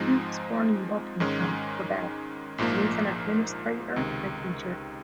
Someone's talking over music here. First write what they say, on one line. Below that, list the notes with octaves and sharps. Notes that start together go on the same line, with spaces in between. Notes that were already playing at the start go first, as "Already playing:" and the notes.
He was born in Buckingham, Quebec and is an administrator, and a teacher.
Already playing: G#2 F3 G#3 C4 D#4
G#2 D#3 G#3 C#4
A#1 G#2 F3 A#3
C#2 C3 D#3